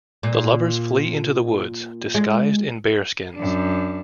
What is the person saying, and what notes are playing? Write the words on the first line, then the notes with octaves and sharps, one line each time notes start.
The lovers flee into the woods, disguised in bear-skins.
A#2
G#3
F#2 D4